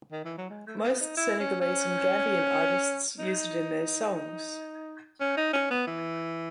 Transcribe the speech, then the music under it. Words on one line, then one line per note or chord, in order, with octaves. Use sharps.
Most Senegalese and Gambian artists use it in their songs.
D#3
E3
F#3
G#3
A3
B3
D#4
E4
C#4
C#4
D#4
C#4
D#4
C#4
B3
E3